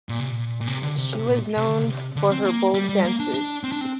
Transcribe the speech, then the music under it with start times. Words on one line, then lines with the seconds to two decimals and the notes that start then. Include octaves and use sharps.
She was known for her bold dances.
0.09 A#2
0.19 C3
0.31 A#2
0.61 A#2
0.67 C3
0.83 D3
0.98 C3
1.19 C3
1.27 A#2
1.57 C3
1.68 D3
1.81 C3
2.16 D3
2.31 C4
2.45 A#3
2.74 G3
2.89 G3
3.04 A#3
3.20 D4
3.34 D4
3.64 C4
3.72 D4
3.81 C4